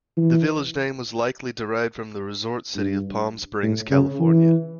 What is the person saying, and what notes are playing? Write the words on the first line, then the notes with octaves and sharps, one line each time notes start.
The village name was likely derived from the resort city of Palm Springs, California.
E3
G2
A2
C#3
E3